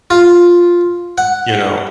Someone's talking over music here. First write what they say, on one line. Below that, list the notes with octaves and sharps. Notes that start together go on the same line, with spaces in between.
you know,
F4
F#5